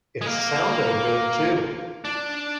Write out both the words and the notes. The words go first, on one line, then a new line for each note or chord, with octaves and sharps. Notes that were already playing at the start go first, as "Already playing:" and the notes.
It's sounding good too.
G#3
A#3
D4